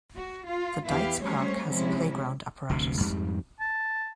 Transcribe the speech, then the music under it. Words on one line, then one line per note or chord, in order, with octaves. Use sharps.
The Dietz Park has a playground apparatus.
F#4
F4
E2 B3 E4 G4 B4 F5
F#3 G3 A3 C#4 C5 C#5
C3 F3 G3 G#3 C#4 E4
F1 D2 C3
F2 G#2 G3
A5